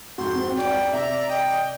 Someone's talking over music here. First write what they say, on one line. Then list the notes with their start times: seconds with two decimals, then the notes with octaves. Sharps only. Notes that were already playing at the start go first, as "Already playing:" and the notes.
No talk.
0.18 F2 G#2 F#4 C6 G6
0.56 D5 G5
0.93 C3 E5 A#5
1.29 D#5 G5